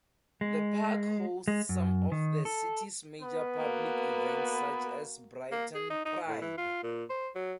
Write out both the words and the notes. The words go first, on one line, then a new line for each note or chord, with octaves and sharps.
The park hosts some of the city's major public events such as Brighton Pride.
G#3
G#3
F#2
D#3
A4
B3 B4
A#3 F#4
A#3
G#4
D#4
D#4
A2
E3
F4
A#2
C5
F#3